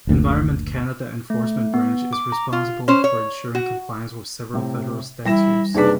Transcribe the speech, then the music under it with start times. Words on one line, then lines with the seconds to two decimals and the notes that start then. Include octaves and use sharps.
Environment Canada Enforcement Branch is responsible for ensuring compliance with several federal statues.
0.07 F#1 D2 A#2
1.30 A3
1.74 B3
2.13 D6
2.32 A#5
2.53 F4
2.88 C#4 C5
3.04 C#5
3.55 F#4
4.54 A2 C3
5.26 E3 G3 E4 A#6 E7
5.75 F#1 C3 D4 D#4 G#4 B4 B6